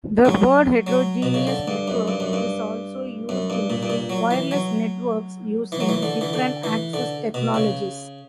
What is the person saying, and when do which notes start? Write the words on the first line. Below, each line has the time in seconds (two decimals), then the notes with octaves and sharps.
The word heterogeneous network is also used in wireless networks using different access technologies.
0.25 F#3
0.87 F#3
1.22 B2
1.34 C#3
1.47 D3
1.68 G2
1.88 F#2
2.08 G2
2.20 F#2
2.33 G2
3.29 F#2
3.50 G2
3.70 A#2
3.83 G2
3.90 A#2
4.10 F#3
4.31 E3
4.51 F#3
5.72 E3
5.80 F#3
5.89 E3
6.03 D3
6.21 E3
6.33 D3
6.64 E3
6.94 D3
7.34 B2
7.54 C#3